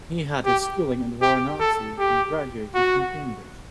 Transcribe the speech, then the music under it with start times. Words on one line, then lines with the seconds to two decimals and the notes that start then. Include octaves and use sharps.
He had his schooling at Varanasi and graduated from Cambridge.
0.45 G4
1.22 G4
1.60 A4
1.99 G4
2.74 F#4